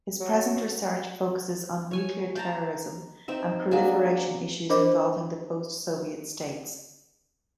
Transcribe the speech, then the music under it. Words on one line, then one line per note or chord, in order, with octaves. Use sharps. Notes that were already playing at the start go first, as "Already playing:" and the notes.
His present research focuses on nuclear terrorism and proliferation issues involving the post-Soviet states.
F#3
C#5 G#5
G5 A5 A#5
C4 D#4 E5
F#3 A#3 D4 G#4
D4 A#4 C5 D#5 D6